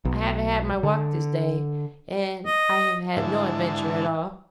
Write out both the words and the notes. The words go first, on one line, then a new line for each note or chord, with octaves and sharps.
I haven't had my walk this day, and I have had no adventure at all.
B1
D3
D#5
G#2 D3 E4 A5